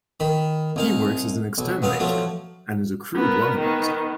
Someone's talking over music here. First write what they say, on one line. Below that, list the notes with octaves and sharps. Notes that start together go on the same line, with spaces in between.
He works as an exterminator and is a crude womanizer.
D#3 B5
C2 D#4 F5
B1
B1 B3 F5 D#6
F3 F#3 A3
B3 A#4
D#3 B3